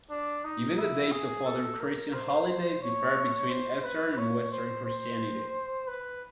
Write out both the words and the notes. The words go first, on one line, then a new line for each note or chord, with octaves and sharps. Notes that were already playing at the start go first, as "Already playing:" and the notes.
Even the dates of other Christian holidays differ between Eastern and Western Christianity.
D4
D#4
E4
G#4
A4
A#4
C5
C5
C#5
C5
B4
C#5
C5
C5
B4